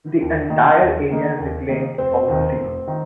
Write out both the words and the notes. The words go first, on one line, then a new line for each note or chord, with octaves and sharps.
The entire area is reclaimed from the sea.
D#2
D#3 A#3 D#4
D#2
D#3 A#3 D#4
D#2
D#3 A#3 D#4
F1 C4 C5
D#2 D#3
F1
D#3